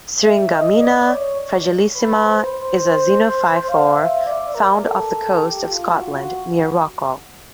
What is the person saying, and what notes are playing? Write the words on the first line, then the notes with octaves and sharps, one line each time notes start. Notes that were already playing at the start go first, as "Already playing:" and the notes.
Syringammina fragilissima is a xenophyophore found off the coast of Scotland, near Rockall.
E5
D#5
D5
C#5
B4
C5
C5
F5
E5
D5
A#4
A4
G4
F4
F#4